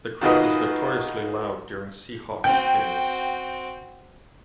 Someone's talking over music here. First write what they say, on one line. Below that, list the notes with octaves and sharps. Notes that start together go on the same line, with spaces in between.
The crowd is notoriously loud during Seahawks games.
D#3 F4 F#4 G#4 B4 D#5
C4 F#4 G5